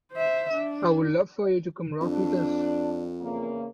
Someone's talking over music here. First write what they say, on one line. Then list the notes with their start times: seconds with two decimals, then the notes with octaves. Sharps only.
I would love for you to come rock with us.
0.12 C5 E5
0.53 D4
2.01 F2 D4
3.22 E2 C#3 A#3